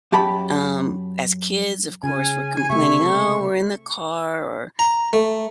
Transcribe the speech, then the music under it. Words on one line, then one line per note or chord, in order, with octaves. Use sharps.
Um, as kids, of course, we're complaining, "Oh, we're in the car," or,
F#2 G4 A5 B5
C#3 C#4 G#5
G#5
C3 A3 E5 C#6
A#5
A3